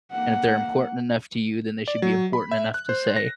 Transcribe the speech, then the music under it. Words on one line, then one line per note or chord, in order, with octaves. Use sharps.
And, if they're important enough to you, then they should be important enough to say."
A#3 F#5
D5
F#3
B5
E5
F#6
C5
A#6